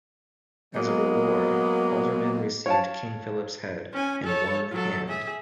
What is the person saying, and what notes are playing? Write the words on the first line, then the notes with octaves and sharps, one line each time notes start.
As a reward, Alderman received King Philip's head and one hand.
F#3 G#3 A#3 B3
C#5 F5 A5
C#4 G#5
A4 C#5
F#3 A4
G#4 E5